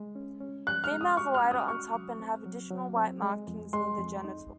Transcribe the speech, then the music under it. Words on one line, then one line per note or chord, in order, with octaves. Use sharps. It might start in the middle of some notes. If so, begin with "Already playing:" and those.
Females are lighter on top and have additional white marking near the genitals.
Already playing: G#3
C#4
C#4
F3 F#6
F6
G#3
D#6
F#4 C#6
F6
C#4
D#6
F#4 C#6
F#3
C4
F#3
F#3
C4
G#3
F2
G#3 C6
F2
D#4